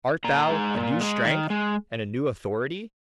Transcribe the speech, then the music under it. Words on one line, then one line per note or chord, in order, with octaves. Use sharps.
Art thou a new strength and a new authority?
A#2 A#5
G#3
A#2
G#3
D#3
G#3